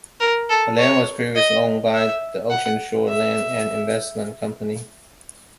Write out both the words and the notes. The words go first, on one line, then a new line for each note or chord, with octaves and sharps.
The land was previously owned by the Ocean Shore Land and Investment Company.
A#4
A4
C#5
D#5
E5
F#5
E5